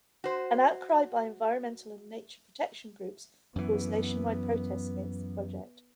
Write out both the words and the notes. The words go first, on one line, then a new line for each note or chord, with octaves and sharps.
An outcry by environmental and nature protection groups caused nationwide protests against the project.
F#4 C5
F#2 E3 B3